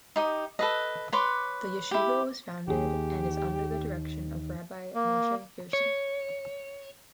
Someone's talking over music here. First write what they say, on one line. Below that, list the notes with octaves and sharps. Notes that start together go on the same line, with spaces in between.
The Yeshiva was founded and is under the direction of Rabbi Moshe Herson.
D#4 G4 D#6
A4 B4 D#5
B4 C#5 C6 D6
E4 G4
D#2 G4 G#4
A#3
C#5